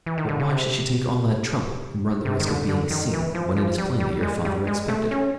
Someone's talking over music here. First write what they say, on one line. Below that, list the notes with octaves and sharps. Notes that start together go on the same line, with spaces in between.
"But why should she take all that trouble, and run the risk of being seen, when it is plain that your father expected her?"
E3
D#3
D3
C#3
C3
C3
D#3
D3
D3
D#3
E3
F3
F3
G3
G3
G#3
G3
G#3
A3
C#4